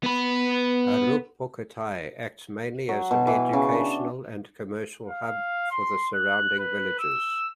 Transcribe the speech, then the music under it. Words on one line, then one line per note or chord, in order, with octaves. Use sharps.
Aruppukottai acts mainly as an educational and commercial hub for the surrounding villages.
B3 B5
F#3
B2
E3
C#3
D4
F5
C6
F#6
B4
E6